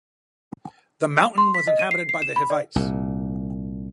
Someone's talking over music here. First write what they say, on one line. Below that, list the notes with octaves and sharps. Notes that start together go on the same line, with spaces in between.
The mountain was inhabited by the Hivites.
C6
B6
D#5
D#7
C7
C7
E7
B5
D5
C2 A#2